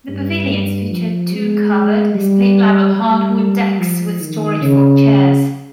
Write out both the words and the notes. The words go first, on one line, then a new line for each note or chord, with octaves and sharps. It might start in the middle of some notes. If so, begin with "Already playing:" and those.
The pavilions feature two covered, split-level, hardwood decks with storage for chairs.
G2
F3
G#3
G3
G3
F3
D#3
C#3